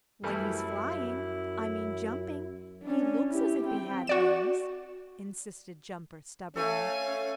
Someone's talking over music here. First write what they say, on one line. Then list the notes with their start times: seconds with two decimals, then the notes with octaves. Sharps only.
"When he's flying, I mean jumping, he looks as if he had wings," insisted Jumper stubbornly.
0.24 F#2 E3 G3 A3 E4
2.83 C#4 D4
3.30 E4 G4
3.65 C4 G5
4.07 F#4 D5 E7
6.56 A3 C#4 A4 F5 G#5